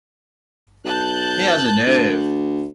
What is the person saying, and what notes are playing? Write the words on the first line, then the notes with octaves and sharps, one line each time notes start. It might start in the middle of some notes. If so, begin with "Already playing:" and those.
He has a nerve.
B1 A5 F#6 G6
D2